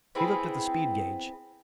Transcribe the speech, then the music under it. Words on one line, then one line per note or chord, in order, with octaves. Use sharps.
He looked at the speed gage.
B3 C4 E4 G#4